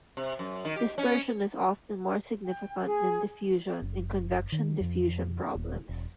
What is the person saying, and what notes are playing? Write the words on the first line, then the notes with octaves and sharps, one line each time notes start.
Dispersion is often more significant than diffusion in convection-diffusion problems.
C3
F#2
D#3
G4
C#4
G5
G#4
F#1
D#3
F2
D#1
E1